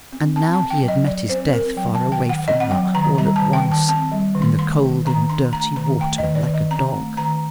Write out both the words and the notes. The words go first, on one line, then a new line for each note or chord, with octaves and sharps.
And now he had met his death far away from her, all at once, in the cold and dirty water, like a dog.
C4
C4 A5
A5
C4
G5
F#3
D#5
F#3 D5
C4 C5
C4 A#4
F#3 G5
A5
D#3
G5
D#3
F#5
C4 D#5
F#5
F#3 G5
D#3 A#5
G3 A#5
A5
D#3
G5
D#3
A5
C4 A5
G3
D#3
C6
A3 C6
D#3
D#3 A#5
D4 C6
A3 A#5
D#3 A#5
A3 G5
D#5
D#3
D5
D#3
D#5
C4 A#5
A3
D#3 A#5